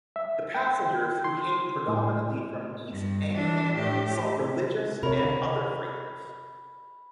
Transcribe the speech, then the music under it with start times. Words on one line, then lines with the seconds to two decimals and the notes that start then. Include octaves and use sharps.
The passengers who came predominantly from East Anglia sought religious and other freedoms.
0.16 E5
0.54 G5
1.24 C6
1.88 A2
2.91 G2
3.34 E3 D4
3.77 A2 G4
5.03 C3 A#4 C#5 B5